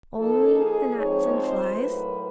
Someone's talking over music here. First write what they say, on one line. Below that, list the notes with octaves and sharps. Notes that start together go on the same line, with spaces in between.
Only the gnats and flies?
F3 A#3 D#4 A4
G#4
F3 G#3 C4 D#4 C#5
C5
A2 F#3 A#3 B4